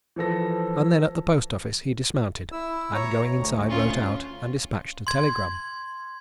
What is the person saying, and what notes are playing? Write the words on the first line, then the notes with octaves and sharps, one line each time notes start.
And then, at the post-office he dismounted, and going inside, wrote out and dispatched a telegram.
E3 F3 A4 A#6
E4 E6
C#5 A#5
D2
C#4 F4
C6 G#6